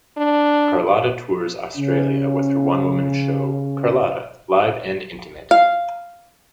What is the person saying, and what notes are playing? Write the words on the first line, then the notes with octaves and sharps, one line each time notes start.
Carlotta tours Australia with her one-woman show "Carlotta: Live and Intimate".
D4
C#3 C#4
F5